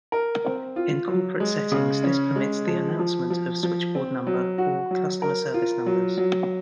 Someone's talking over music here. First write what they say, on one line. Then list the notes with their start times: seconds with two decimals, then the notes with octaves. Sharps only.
In corporate settings this permits the announcement of switchboard number or customer service numbers.
0.12 A#4
0.45 C4
0.76 F4
1.08 F#3
1.40 G#3
1.72 C#3
2.03 C#4
2.36 G#3
2.67 F3
2.99 F3
3.30 F3
3.63 F3
3.95 C4
4.27 F#3
4.58 F#4
4.91 F#3
5.22 A#4
5.54 F4
5.86 F#3
6.17 F#3